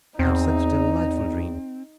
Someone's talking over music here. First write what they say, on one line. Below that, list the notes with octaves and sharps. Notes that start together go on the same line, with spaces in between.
I had such a delightful dream.
E2 C4 D#4